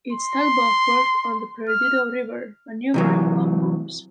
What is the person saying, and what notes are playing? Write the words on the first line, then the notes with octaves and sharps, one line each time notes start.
Its tugboat worked on the Perdido River, maneuvering logbooms.
C6
F6
C3 E3 F#3